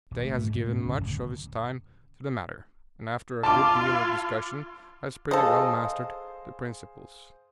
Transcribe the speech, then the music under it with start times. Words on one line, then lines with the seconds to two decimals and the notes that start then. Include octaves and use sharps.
Day has given much of his time to the matter, and after a good deal of discussion has pretty well mastered the principles.
0.11 D#1
0.23 A3
0.38 G#2
0.56 A2
0.71 C#4
0.85 F#1
1.00 D1
3.43 F4 A5 D6
5.31 G#4 A4 C5 D#5 F5